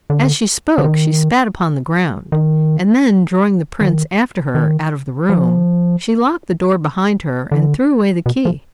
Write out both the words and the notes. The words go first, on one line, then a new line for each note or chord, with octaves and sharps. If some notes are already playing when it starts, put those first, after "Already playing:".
As she spoke she spat upon the ground, and then drawing the prince after her out of the room, she locked the door behind her and threw away the key.
D3
D3
D#3
D#3
D#3
D#3
F3
D3
B2
F3